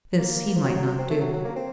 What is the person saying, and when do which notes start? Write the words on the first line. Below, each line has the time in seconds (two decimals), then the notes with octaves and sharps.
This he might not do.
0.19 A#3
0.56 F3
0.64 F#3
0.76 F#3
0.87 F#3
0.99 C4
1.10 A3
1.21 F#3
1.33 F#3
1.44 A#3
1.56 C4